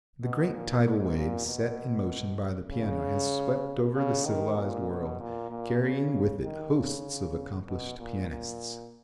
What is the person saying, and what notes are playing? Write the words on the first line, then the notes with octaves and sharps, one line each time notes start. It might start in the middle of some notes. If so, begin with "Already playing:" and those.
The great tidal wave set in motion by the piano has swept over the civilized world, carrying with it hosts of accomplished pianists.
B2
A#2
G#2
A#2
B2
C#3
C#3
D#3
A#2
B2
A#2
A#2
C#3
D#3
C#3
B2
A#2
A#2